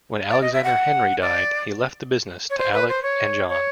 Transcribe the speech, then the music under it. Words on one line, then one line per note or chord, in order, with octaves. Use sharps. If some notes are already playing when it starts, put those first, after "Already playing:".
When Alexander Henry died, he left the business to Alick and John.
D5
D#5
E5
F#5
D5
C#5
C5
B4
C5
C#5
C#5